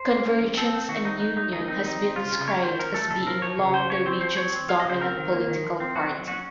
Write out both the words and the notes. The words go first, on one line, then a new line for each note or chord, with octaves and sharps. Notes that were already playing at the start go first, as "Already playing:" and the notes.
Convergence and Union has been described as being "long the region's dominant political party".
Already playing: C5
A#3
C#4
F3
C4 A4
C4
D#3 F#4
C4 D#4
F#3 D#4
A3 D#4
D#3 D#4
C4 D#4
C4 D#4
C4
C#3 F4
C#3
F#3 C#5
D#3 C5
C#4 A#4
A3 A4
C#3 A4
F3 A#4
F3 C#5
C#3
F3 C5
C#3 C#5
C4 C5
F3 C5
F#3 C#5
C4
F#3 F5
D#5
C#3 C5
C4 A#4
D#3
A#3
D#3
F3
C4
F#3 F#4
F#3
C#4 F#4